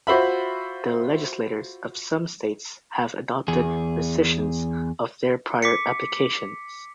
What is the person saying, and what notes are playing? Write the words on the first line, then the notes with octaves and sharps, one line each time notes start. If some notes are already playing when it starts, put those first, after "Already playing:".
The legislatures of some states have adopted rescissions of their prior applications.
F4 F#4 C5 E5 B5
E2 G#4
D6 B6 C#7